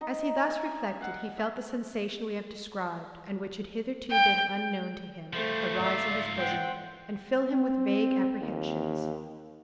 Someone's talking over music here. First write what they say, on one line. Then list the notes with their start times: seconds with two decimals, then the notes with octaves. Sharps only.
As he thus reflected, he felt the sensation we have described, and which had hitherto been unknown to him, arise in his bosom, and fill him with vague apprehensions.
0.01 D#4 A#5
0.48 D5 E5 G#5 A#5
1.01 F5 F#5
1.38 E5
4.11 G5
5.33 F3 G3 A3 C5
5.79 G#2 F4 D5 E5
6.37 C5 F#5 G5
7.50 C4
8.41 D#2